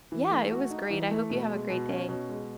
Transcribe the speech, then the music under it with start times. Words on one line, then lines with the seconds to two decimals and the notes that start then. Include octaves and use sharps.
Yeah, it was great. I hope you have a great day.
0.12 E3
0.31 A3
0.51 F#4
0.71 D#4
0.90 E3
1.11 A3
1.30 B2
1.50 G#3
1.70 B2
1.89 C#4
2.09 B2
2.29 G#3